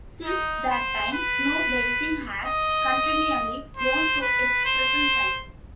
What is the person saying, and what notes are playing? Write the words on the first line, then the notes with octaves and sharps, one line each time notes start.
Since that time, Snowbasin has continually grown to its present size.
D#4
C5
B4
D#5
C5
B4
C5